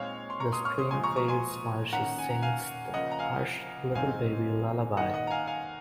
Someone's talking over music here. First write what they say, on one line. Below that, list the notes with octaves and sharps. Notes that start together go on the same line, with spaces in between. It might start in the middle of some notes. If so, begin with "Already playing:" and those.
The screen fades while she sings the "Hush, Little Baby" lullaby.
Already playing: A#2 G#3 C4 D#4 C#5 F5
C6
A#5 C#6
C6 D#6
C#6 F6
C6 D#6
A#2 F3 G#3 G#5 C6
A#5 C#6
A#5 C#6
G#5 C6
D#3 A#3 C#4 F#5 A#5
G#5
A#5
F5 G#5
C#3 F3 A#3 D#5 F#5
A#5
F5 G#5
G#2 F#3 C4 D#4 F5 G#5
D#3 A#3 D#4 D#5 F#5
D#5 F#5
A#5
F5 G#5
F5 G#5